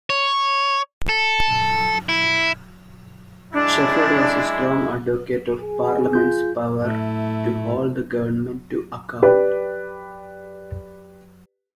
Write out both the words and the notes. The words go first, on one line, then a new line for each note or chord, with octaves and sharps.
Shepherd was a strong advocate of Parliament's power to hold the government to account.
C#5
A4
E4
G#3 D4 E4
G#4
F4 G6
A2 A3 E4
G4 B4 D5